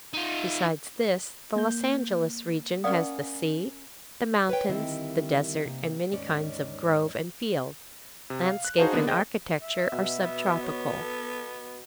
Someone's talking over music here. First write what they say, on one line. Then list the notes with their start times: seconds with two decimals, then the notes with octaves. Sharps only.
Besides this, the Los Angeles region has the sea, the mountains, the desert, and many kinds of grove and field. Landscape and architecture are sub-tropical.
0.13 D#4 F4
1.56 A#3 G6
2.84 C#4 A#4 D5 F5 F#5 D#6
4.49 B4 C#5 G5
4.70 D3 D#3 G3 C4 E4
5.65 C3 A#3
6.12 D#2 G#2 C#4 D5
8.30 C3
8.46 F5
8.65 F#6
8.78 D#4 F#4 G#4 C5 F5 A5
8.93 D3 A#3 B3 D4
9.07 G#4 C5 D#5 G5
9.62 E5
9.92 B2
10.23 B3
10.62 C#5
10.99 A4